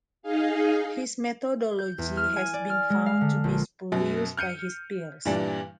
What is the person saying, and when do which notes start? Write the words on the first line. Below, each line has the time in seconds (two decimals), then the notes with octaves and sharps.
His methodology has been found to be spurious by his peers.
0.22 D#4 G#4 F5
1.79 G6
1.98 E2
2.17 F6
2.36 G#5
2.53 D5
2.70 F6
2.90 G#3
3.06 F5
3.21 D3
3.44 A#1
3.92 F#2 B2 F#3
4.37 F6 G6 C#7 D#7
5.25 G2 A#2 E3 G3 D4